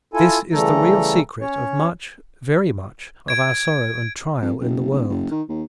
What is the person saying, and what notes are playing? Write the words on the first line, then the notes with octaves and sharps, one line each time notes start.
This is the real secret of much, very much, of our sorrow and trial in the world.
E4 F4 A4 G#5
C#3 E3 G3 A3 A4 A#5
C#4 C#5
G#6 D7
F2
F#1
D1
F#1
D#3
D#2